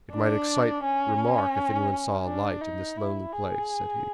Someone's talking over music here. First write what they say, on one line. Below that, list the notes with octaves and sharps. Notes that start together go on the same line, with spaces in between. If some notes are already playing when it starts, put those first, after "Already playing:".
"It might excite remark if anyone saw a light in this lonely place," said he.
D4
C#4
D4
D#4
E4
G#4